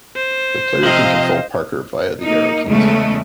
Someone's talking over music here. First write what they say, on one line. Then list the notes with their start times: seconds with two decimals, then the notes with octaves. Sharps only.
The player can control Parker via the arrow keys.
0.17 C5
0.83 C3 F3 D#5 F5
2.21 A#3 D#4
2.66 E2 C#3 G#3 A3